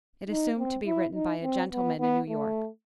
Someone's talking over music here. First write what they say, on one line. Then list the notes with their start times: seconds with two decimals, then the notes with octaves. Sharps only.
It assumed to be written by a gentleman in New York.
0.29 D#4
0.58 C4
0.86 E4
1.14 D#4
1.43 C4
1.72 B3
1.99 B3
2.29 A3